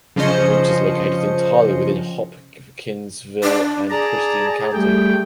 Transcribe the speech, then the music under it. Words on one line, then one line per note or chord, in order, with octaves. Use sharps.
The route is located entirely within Hopkinsville and Christian County.
C#3 F3 C#4 C5 D#5 C#7
D4
G#4 D5 A5 A#5
G3 A3 G5